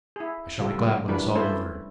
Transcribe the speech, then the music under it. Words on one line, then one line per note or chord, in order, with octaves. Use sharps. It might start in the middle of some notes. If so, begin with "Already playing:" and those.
I shall be glad when it's all over.
E4 G#4
C#3 G3 F4 A4
C#3 F3 G#3
E3 G3 D4 A#4 B4
A3 C#4 E4 A4 B4 C5